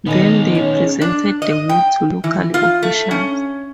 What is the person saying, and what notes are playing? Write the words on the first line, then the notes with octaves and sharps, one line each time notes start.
Then they presented the wood to local officials.
B2 D#3 B3 D#4 G#4 D#5
C#4
D4
D#5
G5
E3
F4
A3
C#4